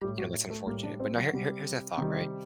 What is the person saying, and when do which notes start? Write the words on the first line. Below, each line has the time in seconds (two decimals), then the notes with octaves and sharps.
you know, that's unfortunate. But now here here here's a thought, right,
0.01 G3 G4
0.04 A2
0.18 F#3 F#4
0.50 A3 A4
0.67 A2 G3 A#3 A#4
0.83 D4 D5
1.00 C4 C5
1.16 F#3 F#4
1.33 C3 G3
1.98 C3 D#3 G3 D#4